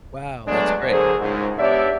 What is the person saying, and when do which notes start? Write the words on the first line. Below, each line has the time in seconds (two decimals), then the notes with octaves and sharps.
Wow, that's great.
0.47 F#3 G#3 A3 B3 D4
0.89 D3 F#3 G#4 A#4 C5
1.20 C#2 G#2
1.58 B3 D4 G4 C#5 D5 E5